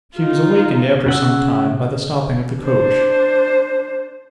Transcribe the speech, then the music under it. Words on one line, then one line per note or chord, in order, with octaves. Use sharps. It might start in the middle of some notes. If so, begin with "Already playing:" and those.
She was awakened, after some time, by the stopping of the coach.
D#4 F4
C#3 F#5 E6
D4 C5